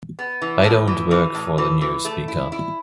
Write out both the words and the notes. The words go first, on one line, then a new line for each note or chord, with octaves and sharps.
I don't work for the new speaker.
B3
E3
A2
E3
E3
A2
E3
E3
A3
E4
E4